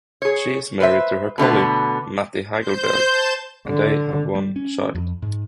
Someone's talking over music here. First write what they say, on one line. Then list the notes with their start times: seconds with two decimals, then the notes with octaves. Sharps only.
She is married to her colleague, Matti Hagelberg, and they have one child.
0.22 G#4 C#5
0.80 B4 C5 E5
1.38 B2 D3 A3 B3
2.60 C5 G6
3.06 A5 E7
3.68 D3
4.35 G3
4.56 C#4
4.95 F2
5.22 G#2